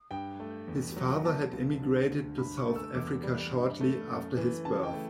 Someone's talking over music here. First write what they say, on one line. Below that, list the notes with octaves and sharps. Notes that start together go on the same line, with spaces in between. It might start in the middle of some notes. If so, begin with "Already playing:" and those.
His father had emigrated to South Africa shortly after his birth.
G2 G5
A3
E2
F#3
B2 A5
C#2
D3
D2
G2 B5
C#6
A3
E6
E2 D6
G3
G2
A3
F#2
E3
C#3 A5
G5
A3